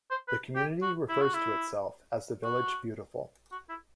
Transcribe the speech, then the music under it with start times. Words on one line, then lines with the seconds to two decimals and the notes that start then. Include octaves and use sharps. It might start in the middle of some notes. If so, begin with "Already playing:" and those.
The community refers to itself as The Village Beautiful.
0.11 C5
0.28 B4
0.56 G4
0.82 F#4
1.09 E4
1.21 F#4
1.34 E4
2.44 F#4
3.52 F#4
3.69 E4